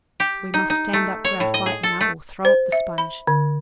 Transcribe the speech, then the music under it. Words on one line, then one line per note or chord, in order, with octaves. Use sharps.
We must stand up to our fight now, or throw up the sponge.
G4
D#4
D#4
A3
C#5
A2
D#5
G#4
A4
A3
C5
E5
B5
D3